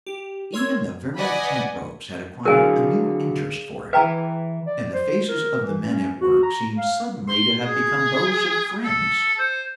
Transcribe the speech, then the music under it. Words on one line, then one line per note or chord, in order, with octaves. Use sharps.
Even the very tent ropes had acquired a new interest for him, and the faces of the men at work seemed suddenly to have become those of friends.
G4
A#4 C#5 C6 E6 G#6
B4 D5 D#5 F#5 G#5 B5
D3 F#3 G#4 A#4 D5 F5 G#5
E3 B4 E5 G5 A#5
D5
C5
A#4
E3
C#4
F#4
A#5
F5
C6
G#4
A4
C5